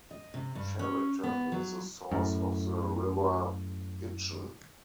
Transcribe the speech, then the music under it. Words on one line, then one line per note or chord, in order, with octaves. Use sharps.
Cheriton is the Source of the River Itchen.
D#5
C3
G2
C#4
B3
F#3
F#2 A2